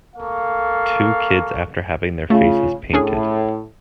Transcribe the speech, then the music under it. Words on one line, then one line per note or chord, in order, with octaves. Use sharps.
Two kids after having their faces painted.
A#3 A4 F5 C#6
C#3 A3 F4
A2 C#4 D4 G#4